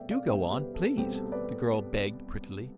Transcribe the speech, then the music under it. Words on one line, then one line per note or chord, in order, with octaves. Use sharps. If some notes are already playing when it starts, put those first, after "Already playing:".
"Do go on--please!" the girl begged prettily.
Already playing: C2 B2 A3 C4 D5 E5 F5 G5
D5 F5
C2 B2 A3 C4 E5 G5
G4 B4
A4
C2 B2 A3 C4 G4
A4
B4 D5